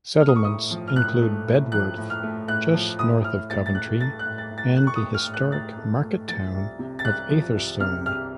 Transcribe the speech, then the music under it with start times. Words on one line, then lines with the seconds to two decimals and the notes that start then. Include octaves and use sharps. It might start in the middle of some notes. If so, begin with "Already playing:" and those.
Settlements include Bedworth, just north of Coventry, and the historic market town of Atherstone.
0.20 A3 F6
0.28 D#6
0.36 C#6
0.44 A2 D#6
0.71 F3
0.88 F6
0.96 A2 F#6
1.22 A3
1.47 A2
1.72 F3 F#6
1.98 A2
2.10 F6
2.23 A3
2.48 A2 F#6
2.74 F3
2.99 A2 D#6
3.24 A2 F6
3.50 A2 A6
3.66 A6
3.75 A3 F#6
4.00 A3 A6
4.19 F#6
4.26 A2
4.38 A6
4.51 A2
4.58 A6
4.77 A3 F#6
4.87 C#6
4.96 D#6
5.02 A3
5.14 F6
5.27 A2
5.34 F#6
5.52 A2 A6
5.78 A3
6.04 A3
6.28 F3 A6
6.54 C2
6.79 C3
6.99 A6
7.04 C2 F#6
7.30 F3
7.55 C2
7.80 C3 F6
8.06 C2 F6